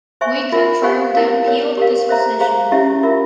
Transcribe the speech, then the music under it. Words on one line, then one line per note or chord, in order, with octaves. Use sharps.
We confirm the appealed disposition.
C5 E5 G#5 C#6
F4 A#4 E5 G#5
G4 C5 F5 G#5 C#6
E4 A#4 F5
A#4 C#5 G5
G4 A#4 F5
C5 E5 A#5
G#4 C5 F5 A#5
C#4 E4 G4 C#5 E5
F4 A#4 E5